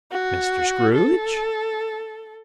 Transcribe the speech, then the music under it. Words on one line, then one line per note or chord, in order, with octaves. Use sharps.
"Mr. Scrooge?"
F#4
A4